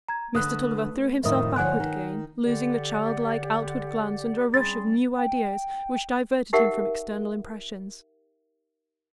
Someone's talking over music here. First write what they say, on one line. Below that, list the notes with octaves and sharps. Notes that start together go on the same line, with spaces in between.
Mr. Tulliver threw himself backward again, losing the childlike outward glance under a rush of new ideas, which diverted him from external impressions.
A#5 G#6
E2 D3 A3 B4 D#6 F#6
F2 A2 D#3 F4 A#4 D#5 E5 D#6
D3 F3 D#4 C#5 F#5 G#5 F#6
D#3
D3 G4 D5 F#5
G3 C4 C#4 G#4 B5 C6 A6
G5
D#4 G4 A#4 E5 F#5